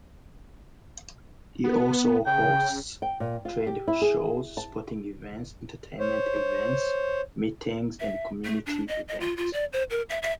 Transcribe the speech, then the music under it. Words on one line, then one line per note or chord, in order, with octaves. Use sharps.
It also hosts trade shows, sporting events, entertainment events, meetings and community events.
B3
C#3 G5
G5
A#2
F4
G4
E4
G#4
A5
C5 C#5
E5
A3
D4
D#5
D#5
F4
F4
D5
C5
A#4
E5
E5